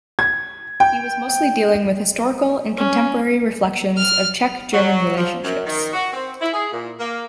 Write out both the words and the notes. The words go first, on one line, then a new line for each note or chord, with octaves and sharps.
He was mostly dealing with historical and contemporary reflections of the Czech-German relationships.
G#6
G5
C#4
F6
F#3
F3
F#2
D#3
F#4
C4
E4
G#4
A#2
A#3